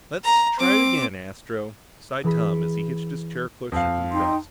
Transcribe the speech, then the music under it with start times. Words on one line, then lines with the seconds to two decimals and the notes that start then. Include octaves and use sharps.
"Let's try again, Astro," sighed Tom as he hitched his chair closer to the desk.
0.24 A#5
0.59 C4 D6
2.24 E3 G#4 B5 B6
3.72 F2 F5
4.12 D#4 G5 C6